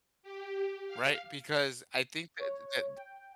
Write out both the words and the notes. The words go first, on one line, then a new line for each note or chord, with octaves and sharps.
Right? Because I think that that
G4
F5
C#5
G5